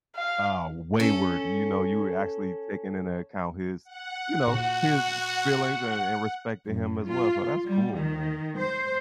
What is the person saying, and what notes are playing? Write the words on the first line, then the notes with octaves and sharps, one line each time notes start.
um, wayward, you know, you were actually taking into account his, you know, his feelings and and respecting him as well, so that's cool, man.
F5
C#4 A4
F#5
A#2 F#4
F#2
F4
G3
D#3
C5